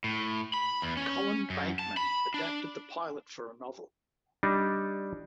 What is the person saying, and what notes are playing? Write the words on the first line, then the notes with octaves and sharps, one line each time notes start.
Colin Bateman adapted the pilot for a novel.
A2
B5
E2
C#4
F#2
A5
B5
D4
G3 D4 D#4